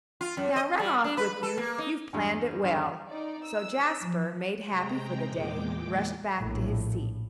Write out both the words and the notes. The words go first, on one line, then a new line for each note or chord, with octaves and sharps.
"Now run off with you, you've planned it well." So Jasper, made happy for the day, rushed back to his seat.
F4
F#2
D#5
G3
D4
B4
A4
A#3
D#4
E2 G2
E2 G2 D3
D#4 D5
E6
F3
C3 G#3 G5 A#5
E2 A#2 G#3 G5 D6
A#1 A2